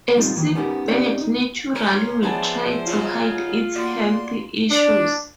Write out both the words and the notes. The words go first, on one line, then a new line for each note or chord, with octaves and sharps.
A sick bird naturally will try to hide its health issues.
G3 C4 D#4 F4
D#3 E3 A#3
B3 C#4 D#4 G4 A#4
C4 C#4 D#4 G4 D5
D#4
C#4 A#4 C6
F3 B3 D4 E4 G#4 C5 A5
C#3 F#3 G#3 F4
A#3 F#4 D5 C6
D4